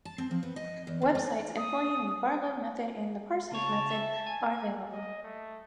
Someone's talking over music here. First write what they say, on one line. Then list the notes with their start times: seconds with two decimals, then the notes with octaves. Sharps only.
Websites employing the Barlow method and the Parsons method are available.
0.05 A5
0.18 C4
0.31 F3
0.43 B3
0.56 D#5
0.87 E2
1.02 D3
1.15 A3
1.57 D#6
3.51 C#3 C#5 A5
3.90 E5
4.26 G#5
4.92 D#5
5.23 A3